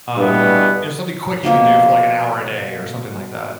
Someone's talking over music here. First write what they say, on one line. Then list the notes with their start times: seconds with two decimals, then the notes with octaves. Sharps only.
um, you know, something quick you can do for, like, an hour a day or something like that.
0.16 G2 B2 D3 E3 B3
1.44 B2 F3 A#3 B3